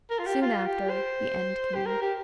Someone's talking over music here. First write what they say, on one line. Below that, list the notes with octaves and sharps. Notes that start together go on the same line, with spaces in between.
Soon after, the end came.
A#4
F4
G4
F4
G4
C5
G4
A#4
G4